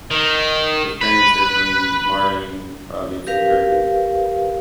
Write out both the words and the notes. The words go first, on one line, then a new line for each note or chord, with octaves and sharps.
His parents are from the Mardin Province in Turkey.
D#3
B4
G4 A#4 B4 F5